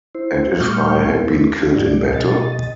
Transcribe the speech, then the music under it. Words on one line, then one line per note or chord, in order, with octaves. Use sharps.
And if I had been killed in battle?
E4 C5
A#2 G3 A3 C#6 F6 G6
G#3 B3 C4 E4 A4
C#4 F4
G#2 D5
B2 D#5 A6